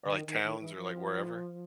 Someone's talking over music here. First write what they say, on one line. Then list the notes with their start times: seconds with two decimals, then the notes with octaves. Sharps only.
or, like, towns or, like, wherever,
0.04 D3
0.10 D#3
0.27 D#3
0.43 D#3
0.60 E3
0.76 F3